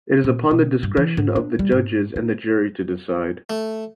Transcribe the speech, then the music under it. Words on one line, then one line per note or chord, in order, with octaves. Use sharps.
It is upon the discretion of the judges and the jury to decide.
A#2
B2
G2
E3
G#2
D4
G3
G#2
D#4
A3